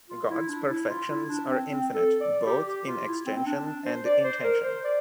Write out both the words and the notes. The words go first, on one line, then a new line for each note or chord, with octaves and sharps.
God's Perfections are infinite both in extension and intention.
F4
E4
D4
E4
F4
E4
D4
C4
C4
A4
D5
G4
G4
F4
E4
C4
C4
D4
D4
C5
D5
C5
A#4
C5
D5